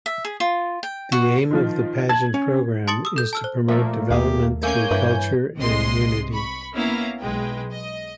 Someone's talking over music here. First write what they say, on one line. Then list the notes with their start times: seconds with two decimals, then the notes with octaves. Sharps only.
The aim of the pageant program is to promote development through culture and unity.
0.06 E5
0.25 G#4
0.40 F4
0.83 G5
1.12 F#4
1.51 D#3 F3 F4
2.09 A5 G#6 F#7
2.34 C#4
2.88 A5 C6 D#6 A6 C#7 F#7
3.05 D#6 E6
3.16 A4 G6
3.33 A5 E6 F6
3.44 C5
3.68 A#2 F3 A3 A#3 E5
4.11 D#2 G4 G#4 F5
4.63 A3 A#3 C#4 C#5 G#5 G6
4.91 G2 E3 B4 E5
5.56 C2 C3 G#3 D#5 C6
6.31 B5 C#6
6.74 A#3 B3 C#4 E4 F5 A#5
7.20 B1 G#3 B4 G5
7.71 D#5